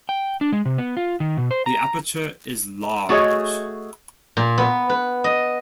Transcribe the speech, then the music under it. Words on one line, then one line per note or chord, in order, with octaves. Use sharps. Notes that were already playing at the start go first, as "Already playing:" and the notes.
The aperture is large.
G5
D4
G#3
C3
B3
F4
D#3
B2
C5
A#5
A3 F#4 G#4 C#5 D#5
A#2
B3
B4
D#5